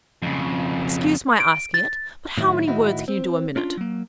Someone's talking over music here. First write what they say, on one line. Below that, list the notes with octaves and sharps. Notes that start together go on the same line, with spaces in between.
Excuse my asking it, but how many words can you do a minute?'
F2 C#3
D7
A6
A2 D#3 F#3 E4
A2 D#3 D#4 E4 F#4
C4
C#4 D4 F4
F#3 A#3